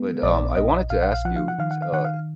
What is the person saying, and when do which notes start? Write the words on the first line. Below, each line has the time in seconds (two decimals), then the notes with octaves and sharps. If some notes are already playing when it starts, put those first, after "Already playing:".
But, um, I wanted to ask you, s uh,
Already playing: G#3 B3
0.23 A#1 D5
0.56 A#1 D#5
0.90 A#1 F5
1.02 F#5
1.13 F5
1.25 F3 F#5
1.36 F5
1.48 F#5
1.59 D#3 F5
1.71 F#5
1.82 F5
1.93 D#3 F#5
2.05 F5